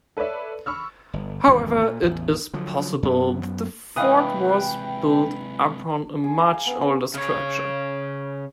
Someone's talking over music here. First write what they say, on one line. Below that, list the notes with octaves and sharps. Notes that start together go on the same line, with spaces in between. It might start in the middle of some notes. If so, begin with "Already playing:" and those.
However, it is possible that the fort was built upon a much older structure.
A4 B4 C#5 D5 E5
B5 C#6 E6 F6
G1
G#1 E2 G2 C3
A#2
A1 E2
D3 F3 F#3
F#2 B3
C3 E3 G#3 B4 D#5 F5 G5 D#6
G#4
A#5
F5
B3
B4
C#3 C#5